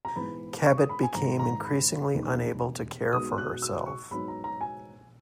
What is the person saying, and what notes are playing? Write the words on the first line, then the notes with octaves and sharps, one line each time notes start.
Cabot became increasingly unable to care for herself.
A#5
G#2 E3 B3 B5
C#6
D#6
B5
G#5
G#1 G#2 E3 A#5
A#5
B5
E1 D#2 D#3
B1 B2 G#3 D#6
F#6
E6
C#6
G#2 F#3 B3 D#4 B5
A#5
A#5
G#5